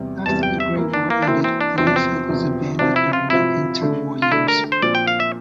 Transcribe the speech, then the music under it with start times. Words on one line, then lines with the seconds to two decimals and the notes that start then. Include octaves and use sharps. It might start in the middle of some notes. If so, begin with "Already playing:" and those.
After the Great War ended, the airfield was abandoned during the inter-war years.
Already playing: E2 C3 G3
0.26 E2 C3 G3 A5
0.43 G5
0.60 E5
0.77 E3 A#3 E4
0.94 D4
1.10 A#3
1.22 D4
1.27 E3 A#3 C4 E4
1.44 C4
1.61 D4
1.78 E2 C3 F3 C4
1.87 D4
1.96 C4
2.29 E2 C3 F3
2.79 C3 F3 C4 D4 F4
2.96 E4
3.13 F4
3.30 C3 F3 C4 E4 F4
3.81 D3 A3 D4
4.22 F4
4.32 D3 A3 D4 E4
4.48 A#4
4.72 C5
4.82 A#2 F3 C4 D5
4.95 G5
5.08 F5
5.20 E5